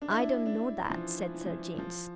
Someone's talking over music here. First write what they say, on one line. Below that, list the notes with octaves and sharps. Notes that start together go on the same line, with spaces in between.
"I don't know that," said Sir James.
D4
E4
D4
D4
E3
F3
E3
F3
E3
F3